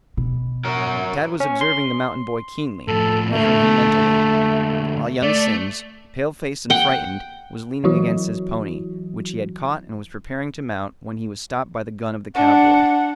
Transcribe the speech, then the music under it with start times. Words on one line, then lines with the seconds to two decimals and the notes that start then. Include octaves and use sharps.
Tad was observing the mountain boy keenly, measuring him mentally, while young Simms, pale-faced and frightened, was leaning against his pony, which he had caught and was preparing to mount when he was stopped by the gun of the cowboy.
0.17 B2
0.65 F#3 A#4
1.40 C#4
1.61 C6
2.88 A2 F3 A4
3.34 D3 A3 A#3
5.22 A3 D5
6.70 F#5 G5
7.84 E3 F#3 E4 F#4
12.35 D4 F#5